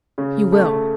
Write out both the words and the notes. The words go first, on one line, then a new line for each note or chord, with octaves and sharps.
"You will."
C#3
A3